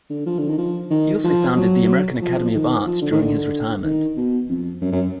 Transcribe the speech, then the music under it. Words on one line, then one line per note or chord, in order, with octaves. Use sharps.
He also founded the American Academy of Arts during his retirement.
D3
F3
D3
D#3
F3
D#3
F3
F#3
F3
F3
D#3
F3
D3
D#3
D3
D#3
B2
F2
F#2
F#2